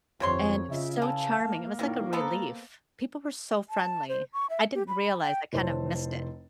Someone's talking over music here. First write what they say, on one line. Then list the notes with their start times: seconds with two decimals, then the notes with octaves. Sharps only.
and so charming, it was like a relief. People were so friendly. I didn't realize I kind of missed it.
0.20 G1 F2 C3 C#5 C6
0.70 C#3 F4 D#5 E5
1.02 E3 F5 A5
1.41 A#3
1.79 A#2 D#3 E3 F#3 G3
2.13 B3 C4 A4 A#5
3.70 A5
4.09 C5
4.33 C#6
4.50 E5
4.75 G4
4.88 B5
5.20 G5
5.53 F1 E4 C5 C#5 A5